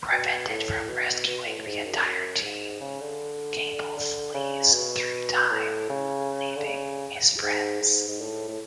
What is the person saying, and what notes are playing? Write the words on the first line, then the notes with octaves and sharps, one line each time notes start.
Prevented from rescuing the entire team, Cable flees through time, leaving his friends.
B2
A2
A2
B2
B2
A2
A2
G#2
F#2
F#2
G#2
C#3
D3
D3
C#3
B2
A2
C#3
D3
C#3
G#2
G#2
G#2
A2
A2